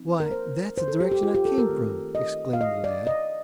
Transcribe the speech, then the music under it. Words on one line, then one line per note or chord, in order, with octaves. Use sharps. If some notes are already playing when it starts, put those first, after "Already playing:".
"Why, that's the direction I came from," exclaimed the lad.
Already playing: F3 C4 D#4
A#4
C5
C5
A4
G4
G4
F4
G4
A4
A#4
D#3 A3 C4
D#5
F5
D#5
D5
D#5